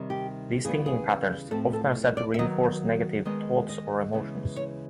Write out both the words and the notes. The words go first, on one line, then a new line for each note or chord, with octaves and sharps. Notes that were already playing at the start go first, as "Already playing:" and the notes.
These thinking patterns often are said to reinforce negative thoughts or emotions.
Already playing: C3 D#3 G3
G4
C#3 E3 G3 B3 G#4
G#4
A2 F3 A3 C4 A4
A4
D5
E5
D#3 F#3 B3 D#5
D#3 G#3 B3 D#5
D#5
C#3 E3 G#3 B3
C#5